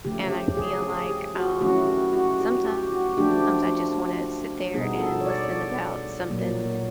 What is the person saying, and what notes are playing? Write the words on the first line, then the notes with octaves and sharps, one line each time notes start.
And I feel like, um, sometimes I just wanna sit there and listen about something,
C#3 F3 A3 G4
G4
G#4
G#4
G4
F#4
D#3 F#3 A3 C#4 E4 F#4
G4
F#4
G4
G4
F#4
F3 A3 D4 G4
B2 G3 B3 D#4 G#4
A4
C#5
D5
A#2 F#3 A#3